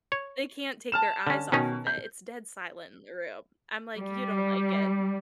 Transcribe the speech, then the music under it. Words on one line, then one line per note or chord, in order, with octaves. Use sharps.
They can't take their eyes off of it, it's dead silent in the room, I'm, like, "You don't like it?"
C#5
A5 F6 E7
D3 C#4
B2 D#3 C#4 D#4
G6
G3